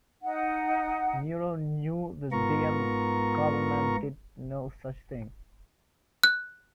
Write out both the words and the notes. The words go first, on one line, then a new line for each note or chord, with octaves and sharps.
Murrow knew the Diem government did no such thing.
D#4 F#5
G#2 B3 F4 A#4 A#5 C#6
F#6